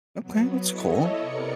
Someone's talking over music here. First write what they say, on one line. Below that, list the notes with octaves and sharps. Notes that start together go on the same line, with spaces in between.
Okay, that's cool.
F#3 B3
E4 A4 C#5 D#5
C3 B3 A#4 D5 C#7